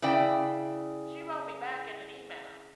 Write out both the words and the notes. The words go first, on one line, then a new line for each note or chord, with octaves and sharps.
She wrote me back in an email,
C#3 E4 D5 G5